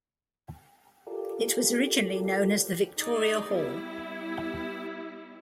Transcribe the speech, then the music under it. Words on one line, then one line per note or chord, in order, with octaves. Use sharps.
It was originally known as the Victoria Hall.
F4 G4 A4 A#4 D5
D#4 G#4 D5
G3 B3 E4